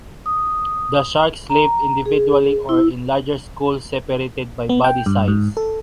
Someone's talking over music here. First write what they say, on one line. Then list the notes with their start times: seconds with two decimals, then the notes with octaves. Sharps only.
The sharks live individually or in larger schools separated by body size.
0.26 D#6
1.50 A#5
2.06 G#4
2.69 E4
4.69 B3
4.84 G5
5.06 G2
5.28 G#2
5.57 A4